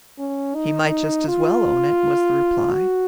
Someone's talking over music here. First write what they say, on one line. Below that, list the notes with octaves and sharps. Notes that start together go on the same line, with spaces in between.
"He might just as well own it," was the reply.
C#4
D#4
F4
F#4